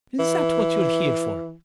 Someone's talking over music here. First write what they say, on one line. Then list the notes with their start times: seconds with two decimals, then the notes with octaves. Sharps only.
Is that what you're here for?
0.19 E3